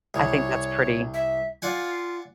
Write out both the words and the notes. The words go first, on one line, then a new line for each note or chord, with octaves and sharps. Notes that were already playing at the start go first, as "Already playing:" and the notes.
I think that's pretty.
C2 C#5
E5
F4 D5 F#5 G#5